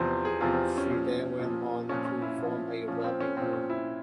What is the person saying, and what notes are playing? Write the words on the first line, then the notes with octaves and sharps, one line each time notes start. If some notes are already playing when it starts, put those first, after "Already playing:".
She then went on to form a rapping group.
Already playing: E2 C3 F3 C5
G#4
E2 C3 F3 F4
C4
C#4
A#2 F3
A#2
F3
A#2 F3 C#4
C#4
E4
A#2 F3
A#2 F3 C#4
C4
C#4
A#2 F3 C4
C#4
E4